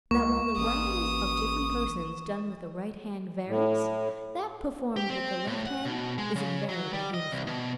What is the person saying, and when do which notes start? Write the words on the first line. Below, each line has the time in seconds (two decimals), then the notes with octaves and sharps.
"That while the writing of different persons done with the right hand varies, that performed with the left hand is invariably uniform."
0.11 C#2 A#3 C#6
0.58 A1 D#6
3.47 A2
4.96 G4
5.10 C4
5.47 A2
5.66 F#5
5.85 B2
6.18 G#3
6.36 C#3
6.69 F#3
6.93 G3
7.14 D#5
7.32 C2
7.47 B2